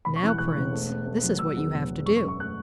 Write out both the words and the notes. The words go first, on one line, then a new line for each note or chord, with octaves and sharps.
'Now, Prince, this is what you have to do.
E1 B5
C#6
E3
F#6
E1 F#6
E1
A3
A3
A3
F#3
E1 E6
E2
E1
E1
F#2 C#6
C#6
F#2
C#6
A3 F#6